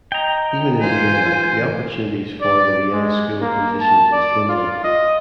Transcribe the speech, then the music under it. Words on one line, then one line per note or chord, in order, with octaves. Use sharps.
Even in Vienna, the opportunities for the Vienna School of musicians was dwindling.
D#5 G5 A#5
E3 F4 C5 G#5
D5
G#3
A#3
A5
D5
F4
D#5